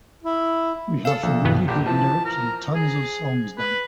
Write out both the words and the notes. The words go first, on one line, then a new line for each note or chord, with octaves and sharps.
We have some really good lyrics and tons of songs done.
E4
A4 F5 E6 E7
A#1
G2 B2 B3
A#1 G4
E3 F3 A5
A#4
G#4
B4